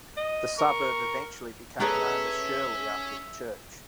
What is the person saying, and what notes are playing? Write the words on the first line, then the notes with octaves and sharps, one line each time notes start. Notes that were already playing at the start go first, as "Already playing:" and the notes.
The suburb eventually became known as Shirley after the church.
D#5
A#4 C#6
C#4 G#4 A4 B4 C#5 D5 E5 A#5